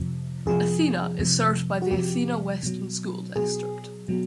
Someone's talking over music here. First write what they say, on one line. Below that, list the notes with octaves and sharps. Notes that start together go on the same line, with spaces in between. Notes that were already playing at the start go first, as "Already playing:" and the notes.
Athena is served by the Athena Weston School District.
Already playing: F2 C3 F3
F2 C3 F3 G#4
F2 C3 F3
F#4
F2 C3 F3 G4
B2 F#3
B2 F#3 G#4
B2 F#3